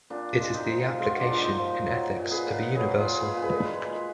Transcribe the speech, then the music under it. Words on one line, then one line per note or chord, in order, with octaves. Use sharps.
It is the application, in ethics, of a universal.
A#2 D4
G#3
D#4
F3
G#3 F4
F#4
D4 F4
A#2
D#4
F3
F#3
A#2
G#4 B4
A#2
F#3 G#4 B4
F4 G#4
A#2
G#4 B4
A#2
G#4 B4
G#3
G#3